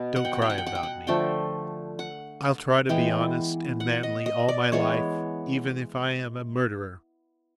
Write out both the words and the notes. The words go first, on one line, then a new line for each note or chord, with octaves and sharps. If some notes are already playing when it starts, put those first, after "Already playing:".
Don't cry about me: I'll try to be honest and manly all my life, even if I am a murderer.
Already playing: B2 B3
F#5
G5
F#5
G5
F#5
G5
F#5
G5
F#5
D3 F3 A3 G5
F#5
E3 G#3 B3 G5
F#5
D#5
D#5
D5
E3 G#3 B3 C#5